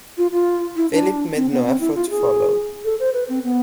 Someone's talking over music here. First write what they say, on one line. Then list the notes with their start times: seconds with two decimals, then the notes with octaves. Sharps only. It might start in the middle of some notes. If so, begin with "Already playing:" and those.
Philip made no effort to follow.
0.18 F4
0.31 F4
0.76 E4
0.92 D4
1.36 C4
1.51 B3
1.66 C4
1.80 E4
1.95 F4
2.10 G#4
2.84 A4
3.00 C5
3.14 B4
3.29 C4
3.44 B3